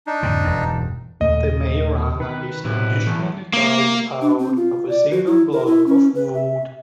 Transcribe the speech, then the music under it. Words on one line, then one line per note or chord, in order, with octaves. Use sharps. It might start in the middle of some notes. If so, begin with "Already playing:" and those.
The mejorana is traditionally carved out of a single block of wood.
D4 D#4
F2 A2 D3
E1 G2
D#2 A#2 C#3 A3 D#5
D#3 B4
B1 A2 C3 E4 B4
E2 A3
A#3
D4
C4
F4
D5
F#4
E4
A#4
E4
C#4
B4
E5